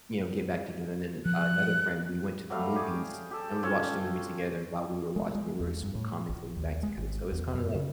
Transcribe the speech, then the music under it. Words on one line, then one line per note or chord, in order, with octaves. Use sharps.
you know, get back together, and then another friend, we went to the movies and we watched a movie together and while we were watching it, we were sort of commentating back together. So it's kinda, like,
F3 F#6
F#3 G3 A3 F5
G4 G#4 D5
G4 A4
C#4 F4 A4 C#5
G#3
G#3
E2
G2
A2
A#1
D#2
G#3
G#1
E2
F#2
C#3